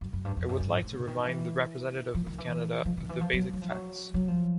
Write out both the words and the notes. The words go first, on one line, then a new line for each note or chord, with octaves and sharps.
I would like to remind the representative of Canada of the basic facts.
F#2
F#2
G2
F2
F#2
G2
G#2
G#2
D3
D#3
E3
F3
D#3
E3
F3
D#3
E3
F3
F#3
F#3
F3
F#3
F#3
F3